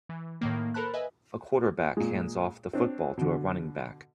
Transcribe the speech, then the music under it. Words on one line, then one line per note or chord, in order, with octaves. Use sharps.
A quarterback hands off the football to a running back.
E3
A2 D#3 A#3
A4 A#4 C5 A5 B5 F#6
B4 D#5 E5 G#5
A#2 G#3
C4 D4 C#5
B2 D3